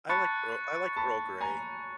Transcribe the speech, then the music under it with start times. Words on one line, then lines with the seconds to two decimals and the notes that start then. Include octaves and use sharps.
I like Earl I like Earl Grey.
0.09 A5 B5 C#6 F#6 A6 C#7
0.96 A5 B5
1.40 G#5 A#5